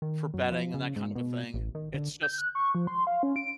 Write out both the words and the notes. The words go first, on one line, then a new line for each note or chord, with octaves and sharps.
For betting and that kind of a thing. It's just
D#3
F#2
F3
C#3
G#2
B2
A1
D#3
D3
G6
F#6
C#6
F3
C6
F5
C#4
D7